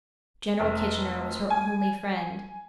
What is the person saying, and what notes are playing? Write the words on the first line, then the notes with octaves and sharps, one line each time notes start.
General Kitchener was her only friend.
F1
G#5